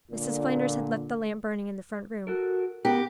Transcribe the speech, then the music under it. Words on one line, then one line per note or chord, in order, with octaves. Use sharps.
Mrs. Flanders had left the lamp burning in the front room.
A#2 D3
F#4 A4 A#4
B3 G4 A#4 F#5